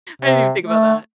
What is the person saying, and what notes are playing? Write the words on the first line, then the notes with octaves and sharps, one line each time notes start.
didn't even think about that.
C3
A3